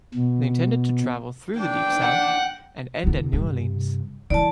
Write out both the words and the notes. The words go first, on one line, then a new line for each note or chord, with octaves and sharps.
They intended to travel through the Deep South and end at New Orleans.
B2
D4 G5
F#5
E2 D3
G2 C3
E3 E4 D5 A5